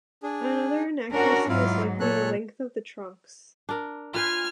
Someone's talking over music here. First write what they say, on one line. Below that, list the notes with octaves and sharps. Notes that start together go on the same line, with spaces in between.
Another inaccuracy is likely the length of the trunks.
D4 G#4
C#4 D4 F#4 A#4
G#2 F#3 E4 F4 F5
A#2 A4 C#5 F#6
D4 A#4
F4 B4 C5 G#5 F6